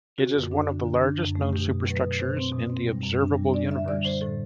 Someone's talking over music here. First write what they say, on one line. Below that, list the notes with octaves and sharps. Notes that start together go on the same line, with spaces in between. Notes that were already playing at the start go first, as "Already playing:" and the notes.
It is one of the largest known superstructures in the observable universe.
D3 F#4
F#2
D4
D3
D3
D4
F#2
A3
B2 G4
B2
F#3 B4
B2
B2 C5
C4
B2
C4
G3
F#2
D4
G3
D4 D5
D3 E5
G3 D5
D3 C5
A2 A4